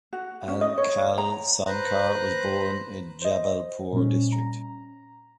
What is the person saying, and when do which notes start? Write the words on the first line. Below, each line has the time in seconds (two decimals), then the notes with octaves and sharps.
Anchal Sonkar was born in Jabalpur district.
0.13 F#4
0.48 C#4
0.61 D#5
0.78 C#5
1.18 A#5
1.67 B4 C5 A#5 F#6
3.22 C5 D#5
3.92 A#2 G3 C#4
4.32 A#5